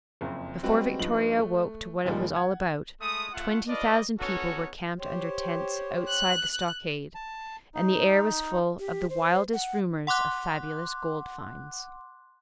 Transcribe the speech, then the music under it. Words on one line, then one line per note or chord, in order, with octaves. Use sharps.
Before Victoria awoke to what it was all about, twenty thousand people were camped under tents outside the stockade, and the air was full of the wildest rumours of fabulous gold finds.
F#1 F2
G3 G#3 C4 F#4 B4
G2 F3 D#4 B4 F#7
A3
D#2 A#2 F3 G3 G#3
F#5 G#6
G#3 A3 D#6
A3 F4 F#5
D4 F4 B4 D5 D#5
B3 C#4 D#4 F#4 A4 C#5
G4 C5 C#5
F#6
A5
D#4
G4
C5
F#5
F#5 C6 D6 F#6